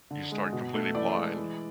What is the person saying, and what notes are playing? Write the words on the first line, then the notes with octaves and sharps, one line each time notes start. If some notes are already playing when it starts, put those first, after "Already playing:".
you start completely blind
D3
G#3
B2
A3
E3 D5
G#3
E3